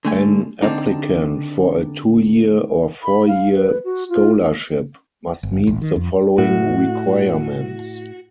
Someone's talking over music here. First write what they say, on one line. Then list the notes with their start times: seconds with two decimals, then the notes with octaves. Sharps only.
An applicant for a two-year or four-year scholarship must meet the following requirements.
0.05 D3 A3 G#5
0.62 D3 C4 D4 D#4
3.03 B5
3.28 F5
3.53 B4
3.85 F#4
4.09 F4
5.43 G1
5.67 D#1 A1
5.82 D#3
5.96 F2
6.38 A2 F#4